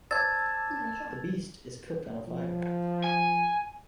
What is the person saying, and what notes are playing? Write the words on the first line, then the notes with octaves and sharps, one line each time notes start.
The beast is cooked on a fire.
C5 D5 A5 E6 G#6 A6
F3
G#5